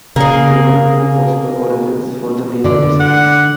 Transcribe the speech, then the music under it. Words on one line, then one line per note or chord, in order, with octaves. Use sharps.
There are two possible origins for the name of the city.
C#3 A#3 G#4
D3 D5
F#5